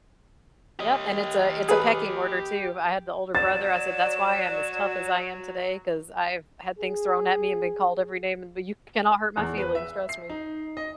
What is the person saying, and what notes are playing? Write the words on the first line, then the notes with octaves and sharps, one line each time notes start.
Yep, and it's a it's a pecking order too, I had the older brother, I said, "That's why I'm as tough as I am today 'cause I've had things thrown at me and been called every name in th You cannot hurt my feelings, trust me."
G4 D#5
G#4 B4
F#3 D5 A6 E7
G#4
E2
B4
E5
C7
D#4
D#5